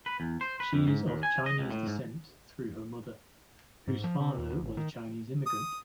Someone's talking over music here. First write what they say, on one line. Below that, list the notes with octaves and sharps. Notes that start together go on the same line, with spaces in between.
She is of Chinese descent through her mother, whose father was a Chinese immigrant.
B4
E2
C5
B4
F2
G#2
D#2
G#5
D#5
C#2
A2
G#2
G#2
F3
C3
D#2
D2
G#1
D#3
D#6